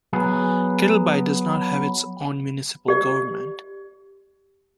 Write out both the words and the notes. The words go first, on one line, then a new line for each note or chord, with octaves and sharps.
Kettleby does not have its own municipal government.
F#3 B3 G#4
G4 D5